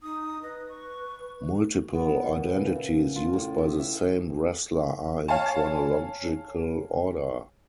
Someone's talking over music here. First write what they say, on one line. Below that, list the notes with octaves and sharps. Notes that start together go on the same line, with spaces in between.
Multiple identities used by the same wrestler are in chronological order.
D#4 D#6
B4 D#5
C#6
B3
A#2
C#3
E5
F4
A2
E5
E5
C#5 F5 G#5 A5